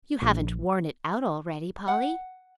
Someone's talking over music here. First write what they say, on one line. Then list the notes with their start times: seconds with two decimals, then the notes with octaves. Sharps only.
"You haven't worn it out already, Polly?"
0.22 A#1
1.88 F#5